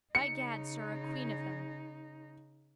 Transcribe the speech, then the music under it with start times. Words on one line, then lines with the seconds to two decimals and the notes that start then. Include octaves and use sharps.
By gad, sir, a queen of them.
0.15 C#3 D#4 C#7